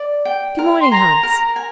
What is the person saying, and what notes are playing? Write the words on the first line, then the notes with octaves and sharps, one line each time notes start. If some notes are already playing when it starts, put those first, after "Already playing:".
'Good morning, Hans.
Already playing: D5
G5
A#4
C6
G#5 A#5
A#4
G#5